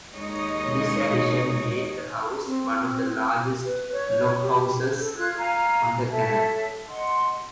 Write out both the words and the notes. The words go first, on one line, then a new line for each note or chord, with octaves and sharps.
This addition made the house one of the largest lock houses on the canal.
D#2 G#3 D#4 C#5 D#5
C4
B4
C#5
G4
A4
F4 F#6 G#6
F5 G#5 A#5
A4 C#5 E5 A5
D#5 F#5 C6